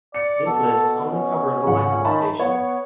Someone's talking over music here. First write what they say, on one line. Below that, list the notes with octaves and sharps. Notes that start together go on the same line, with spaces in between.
This list only cover the lighthouse stations.
D5 C#7
B2 A4
C#4
G#1 C#2 F#5
D#3 E5 A5 B5
B3 C#5